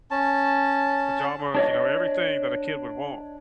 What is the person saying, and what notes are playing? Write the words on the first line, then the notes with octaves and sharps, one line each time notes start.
pajamas, you know, everything that a kid would want.
C#4 A5
D4 C#5 D#5